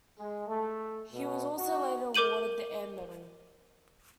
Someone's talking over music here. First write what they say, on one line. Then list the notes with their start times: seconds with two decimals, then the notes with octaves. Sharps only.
He was also later awarded the Air Medal.
0.18 G#3
0.47 A3
1.12 B2
1.58 D#4 F#4
2.15 A#4 D6 G6 D#7 F#7